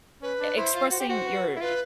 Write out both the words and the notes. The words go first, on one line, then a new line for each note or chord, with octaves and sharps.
e expressing your
C#4 B4
D4
E4 C5
F4
F#4 C5
G4
F#4 C5
B4
E4
F4 B4